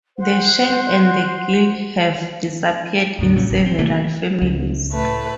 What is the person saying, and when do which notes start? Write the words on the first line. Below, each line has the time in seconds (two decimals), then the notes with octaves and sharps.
The shell and the gill have disappeared in several families.
0.17 C5 F#5
3.19 E2 A2 D3
3.36 B1 A#2 C#3 F#3
3.50 D1 A1
3.66 C4
3.79 C3 E3 A3 A#3
4.42 C#2
4.91 A2 A3 B4